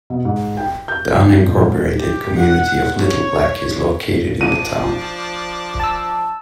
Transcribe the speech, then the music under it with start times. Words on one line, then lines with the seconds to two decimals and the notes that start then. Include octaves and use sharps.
The unincorporated community of Little Black is located in the town.
0.10 B2
0.25 G#2
0.57 G5
0.88 G6
1.15 F#1
1.29 F#2
1.46 A#2
1.58 G#2
2.00 G4
2.39 F#5
3.03 C#5
4.41 F3 D4 D5 D#7
5.80 A5 E6